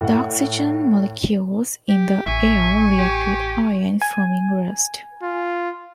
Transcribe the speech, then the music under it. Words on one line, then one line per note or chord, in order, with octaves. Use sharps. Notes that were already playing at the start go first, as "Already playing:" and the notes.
The oxygen molecules in the air react with iron, forming rust.
A2 F#5
G4
A1 E5 G#5 C#6
G4
G#5
F4